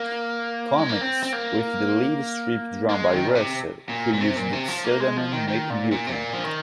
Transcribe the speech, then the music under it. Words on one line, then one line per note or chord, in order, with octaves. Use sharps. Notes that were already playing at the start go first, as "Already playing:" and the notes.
Comics, with the lead strip drawn by Russell, who used the pseudonym 'Mick Newton'.
Already playing: A#3
G#3
A#3
C4
C4
A#3
A#3
G#3
D#3
A#2
C3
A#2
A#2
C3
A#2
C3
F3
A#3
G#3
F3
D#3
D#3
A#2
A#2
C3
A#2
F3
D#3